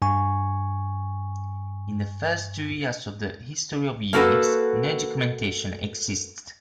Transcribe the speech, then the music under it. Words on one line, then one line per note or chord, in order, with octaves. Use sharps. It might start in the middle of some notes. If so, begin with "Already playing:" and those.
In the first two years of the history of Unix, no documentation existed.
G2 G#5 C#6
A#3 D4 F#4 A4 B4 F#5